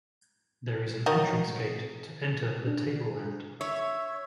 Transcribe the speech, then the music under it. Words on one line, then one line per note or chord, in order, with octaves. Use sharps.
There is an entrance gate to enter the table land.
D#3 F#3 D#4
D4
C#5 E5